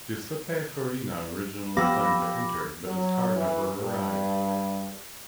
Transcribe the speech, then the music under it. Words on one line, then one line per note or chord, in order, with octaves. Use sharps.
Giuseppe Farina originally planned to enter, but his car never arrived.
F3 B3 G4 F5 B5 D6 E6 A#6
F#3
E3
G2